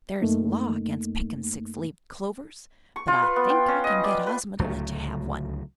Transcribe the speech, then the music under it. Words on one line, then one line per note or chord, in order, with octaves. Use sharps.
"There is a Law against picking six-leaved clovers, but I think I can get Ozma to let you have one."
F#2 A3 A#3 D#4
C#6
F4
B4
B3
G5
C#4
D#5
D5
B4
D1 C#2 F#3 A3